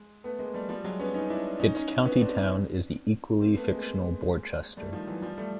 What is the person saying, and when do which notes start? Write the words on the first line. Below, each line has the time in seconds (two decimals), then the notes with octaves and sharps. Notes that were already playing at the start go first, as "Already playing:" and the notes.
Its county town is the equally fictional Borchester.
Already playing: G#3
0.24 A3 B3
0.39 G#3 A#3
0.54 G3 A3
0.69 F3 G3
0.84 F#3 G#3
0.99 B3 C#4
1.14 C#4 D#4
1.30 D4 E4
1.60 C#4 D#4
1.75 C#4 D#4
2.05 B3 C#4
2.20 C4 D4
2.35 C#4 D#4
3.41 A#3 C4
3.56 A3 B3
3.72 G#3 A#3
4.77 G3 A3
4.92 D#3 F3
5.07 E3 F#3
5.22 F3 G3
5.38 G3 A3